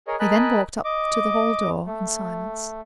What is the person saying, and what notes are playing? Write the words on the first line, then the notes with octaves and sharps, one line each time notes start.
They then walked up to the hall-door in silence.
G#4 A#4 C#5 D#5
A#4 D#5 G#5 A5 B5 F#6
D#5 D6
A3